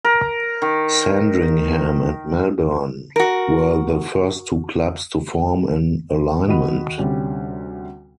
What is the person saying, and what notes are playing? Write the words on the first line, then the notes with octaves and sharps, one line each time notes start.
Sandringham and Melbourne were the first two clubs to form an alignment.
A#4
D#3
F#4 A#4
D#2 F#4 D#5 F#5 B5 D#7
D2 C3 G3 C#4